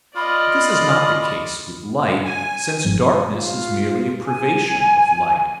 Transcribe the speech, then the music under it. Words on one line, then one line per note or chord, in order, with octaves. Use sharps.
But this is not the case with light since darkness is merely a privation of light.
F4 D5 D#5 B5
G#5
G1 G#2 F3
F4
G#5